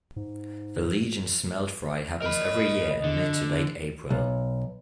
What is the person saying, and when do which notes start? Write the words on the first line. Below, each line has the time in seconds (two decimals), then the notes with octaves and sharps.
The Legion's Smelt Fry happens every year in mid to late April.
0.16 G#2
2.22 A#4 D#5 B5
3.04 D3
4.10 B1